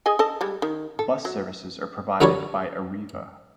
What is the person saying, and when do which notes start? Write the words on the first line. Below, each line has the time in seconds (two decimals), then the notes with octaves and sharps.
Bus services are provided by Arriva.
0.06 G#4 D#5 G#5
0.19 A4 D#5 A5
0.41 G3 G#3
0.62 D#3
0.99 A4
1.25 F#3
2.21 D3 F#3 G3 F#4 A4 C#5